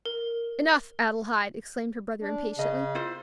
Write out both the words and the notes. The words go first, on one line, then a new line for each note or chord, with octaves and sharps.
"Enough, Adelaide!" exclaimed her brother, impatiently.
A#4
D4
C#3 D#5
E4 F4 C5